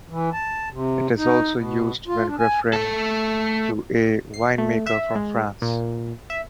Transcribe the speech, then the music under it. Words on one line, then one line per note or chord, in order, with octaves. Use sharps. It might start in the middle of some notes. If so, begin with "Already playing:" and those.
It is also used when referring to a winemaker from France.
E3
A5
C3
D#4
B2
F4
D4
G#5
A3 A4
C7
A3
E5
G#3
A#2
E5